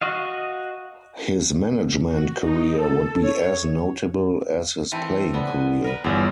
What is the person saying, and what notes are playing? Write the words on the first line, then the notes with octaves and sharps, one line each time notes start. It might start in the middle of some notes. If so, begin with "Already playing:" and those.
His management career would be as notable as his playing career.
F#4 D#5 F5
F#4
D#4
A4
C#5
E3 A3 C4
D3 B3
G#5
A#4 B4
G1 E2 A#4